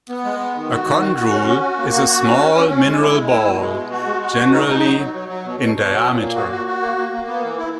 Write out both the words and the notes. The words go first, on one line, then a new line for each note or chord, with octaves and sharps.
A chondrule is a small mineral ball generally in diameter.
B3
G#3
B3
D#3
F#4
D#3
F#4
F#4
C#4
F#4
F#4
A#3
F#4
F#4
C#4
C#4
C#4
C#4
G#3
E4
G#3
E4
B2
G#3
B2
F#4
G#3
F#4
B2
D#4
D#4
F#3
F#3
F#3
F#3
B2
B2
B2
F#3
A#2
A#3
F#4
F#4
F#4
A#3
A#3
A#3
B3
E3
E4